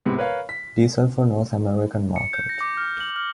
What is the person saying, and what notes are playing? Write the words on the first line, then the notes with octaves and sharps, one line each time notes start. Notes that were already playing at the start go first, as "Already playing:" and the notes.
Diesel for North American Market.
A2 C3 G#3 B3
A#4 B4 C#5 F5
B6
C#7
G6
A#6
D6
F6
F#7
F6